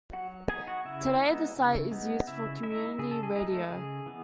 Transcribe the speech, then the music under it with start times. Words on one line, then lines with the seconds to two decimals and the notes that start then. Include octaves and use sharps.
Today the site is used for Community Radio.
0.13 F#3 F#4 F#5
0.49 B3 D#4 G#4 G#5
0.67 F#4 F#5
0.85 C#3 E4 E5
1.21 G#3 B3 D#4
1.56 C#3
1.92 G#3 B3 D#4
2.27 C#3 E4 E5
2.63 G#3 D#4 E4 E5
2.98 C#3 G#4
3.11 A4
3.23 G#4
3.35 G#3 D#4 G#4
3.46 A3 A4
3.70 C#3 G#4
4.06 E3 B3